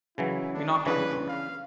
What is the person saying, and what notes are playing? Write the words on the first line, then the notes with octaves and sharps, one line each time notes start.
We knocked on the door.
C#3 E3 F#3 E4
D4
C#3 E3 D4 B4
F5